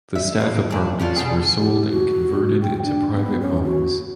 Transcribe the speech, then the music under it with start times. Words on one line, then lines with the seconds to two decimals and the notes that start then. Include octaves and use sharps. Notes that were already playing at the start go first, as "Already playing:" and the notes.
The staff apartments were sold and converted into private homes.
0.15 E5
0.41 A#3
0.71 A#2 D4
1.00 C#4 D4 F4
1.16 B2 G3 D4 G#4
1.57 G4
1.90 F#4
2.62 G5
2.83 D4
3.14 B3
3.41 C#4
3.64 F#4